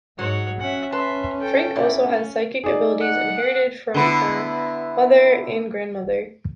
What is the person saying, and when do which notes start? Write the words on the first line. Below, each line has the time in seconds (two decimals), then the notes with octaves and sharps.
Frank also has psychic abilities inherited from her mother and grandmother.
0.19 G#2 F#3 C#5 F#5
0.61 C#4 E5 F#5
0.92 B4 E5 A5 C6
1.38 A4 G5
1.76 A#2 E4
2.06 C#4
2.64 D#4 G#4 D5
3.00 F#5
3.94 D3 B3 E4